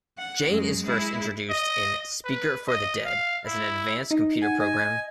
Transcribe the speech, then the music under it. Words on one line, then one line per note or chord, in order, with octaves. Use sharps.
Jane is first introduced in "Speaker for the Dead" as an advanced computer program.
F#5
F#2 G#3
G#3 E4
D#5
B4
D#5
F5
E4
D#4 D#5
F#5 G#5
D#5 G#5